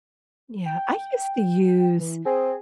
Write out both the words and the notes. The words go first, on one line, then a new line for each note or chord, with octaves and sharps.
Yeah, I used to use
G5
E3
C4 G#4